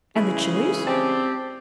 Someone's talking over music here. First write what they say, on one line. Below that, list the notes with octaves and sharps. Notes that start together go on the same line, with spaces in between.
"And the chilis?"
C#3 E3 G#3 E4 G#4
C4 G4 D5 A5 D6